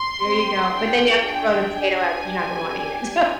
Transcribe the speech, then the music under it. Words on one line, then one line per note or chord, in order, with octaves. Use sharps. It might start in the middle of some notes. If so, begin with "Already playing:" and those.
There you go, but then you have to throw the potato out, 'cause you're not gonna wanna eat it, so
Already playing: C6
C4 G4
D4 F4 G#4 G5
D4 G#4
D4 G#4 G#5
D4 G4
D4 G4